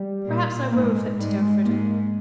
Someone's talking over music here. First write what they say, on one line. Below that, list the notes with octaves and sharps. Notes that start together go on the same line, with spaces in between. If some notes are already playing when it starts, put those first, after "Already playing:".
"Perhaps I will," reflected Elfreda.
Already playing: G3
A#2
G#2 A#3
G#3
G#2 G3
G#3
G#2 A#3